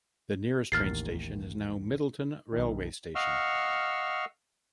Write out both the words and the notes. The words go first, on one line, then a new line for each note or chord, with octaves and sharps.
The nearest train station is now Midleton railway station.
A1 D#2 A#4 F6 A6 C7
B1 D#3
D#5 F5 F#5 C#6 E6 F6